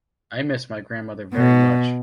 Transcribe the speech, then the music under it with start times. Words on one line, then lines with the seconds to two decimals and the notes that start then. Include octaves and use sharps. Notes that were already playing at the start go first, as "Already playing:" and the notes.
I miss my grandmother very much.
1.34 B2